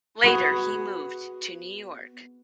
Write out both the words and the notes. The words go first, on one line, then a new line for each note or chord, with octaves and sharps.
Later he moved to New York.
B3 F#4 G#4